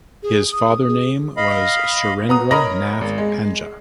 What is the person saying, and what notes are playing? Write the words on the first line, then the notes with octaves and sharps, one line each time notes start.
His father name was Surendra Nath Panja.
G#4
D#6
G#4
D#5 F5 B5
B3 A#5 D#6
A#4 C#5 D#5 A#5 B5 A#6
G#1
G#3